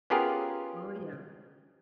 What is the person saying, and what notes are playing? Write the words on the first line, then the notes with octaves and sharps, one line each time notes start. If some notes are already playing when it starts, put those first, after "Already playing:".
Oh, yeah.
B3 C#4 F4 G4 G#4 A#4